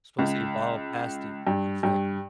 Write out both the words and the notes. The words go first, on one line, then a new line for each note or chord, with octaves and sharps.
supposed to evolve past it. Exactly.
C#2
G2
G2